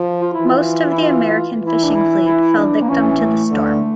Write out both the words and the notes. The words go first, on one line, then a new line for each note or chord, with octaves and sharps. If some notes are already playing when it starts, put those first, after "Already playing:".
Most of the American fishing fleet fell victim to the storm.
Already playing: F3
F4
E3 E4
F4
E4
F4
E3 E4
D4
E4
E4
D4
A#3
E3 C#4
A3
D3